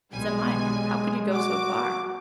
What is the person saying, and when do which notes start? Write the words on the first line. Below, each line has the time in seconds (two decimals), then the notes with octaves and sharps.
"It's a mile, how could you go so far?"
0.13 B1 G3 G#3 G#5
1.34 F#4 D6